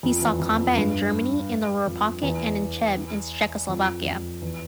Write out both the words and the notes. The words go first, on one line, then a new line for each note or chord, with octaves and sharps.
He saw combat in Germany in the "Ruhr Pocket" and in Cheb in Czechoslovakia.
F2
E2
F2
F2
G2
F2
E2
F2
F2
E2